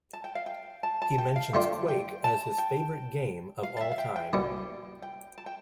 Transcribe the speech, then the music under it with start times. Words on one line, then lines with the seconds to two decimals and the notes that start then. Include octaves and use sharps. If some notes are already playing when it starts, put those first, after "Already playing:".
He mentions Quake as his favourite game of all time.
0.13 A5
0.24 G5
0.35 F5
0.46 G5
0.83 A5
1.02 A5
1.18 G5
1.36 F5
1.54 D3 A3 D4 F4 G5
1.88 G5
2.24 A5
2.58 G5
3.63 F5
3.77 D5
3.81 E5
3.92 F5
3.98 G5
4.16 G5
4.33 C2 B2 B3 D4
5.02 G5
5.38 A5
5.46 G5